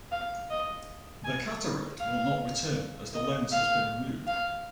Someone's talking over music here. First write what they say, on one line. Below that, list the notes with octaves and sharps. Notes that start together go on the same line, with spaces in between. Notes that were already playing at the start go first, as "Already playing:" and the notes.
The cataract will not return, as the lens has been removed.
F5
D#5
G#5
F5
D#5
F5
F5